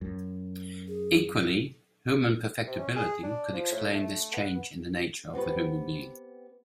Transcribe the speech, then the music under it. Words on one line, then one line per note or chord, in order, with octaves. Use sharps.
Equally, human "perfectibility" could explain this change in the nature of the human being.
F#2
G#4
C3
C#4
G#4
D4
F3
A2
A3
B3
B3 C4 G4 B4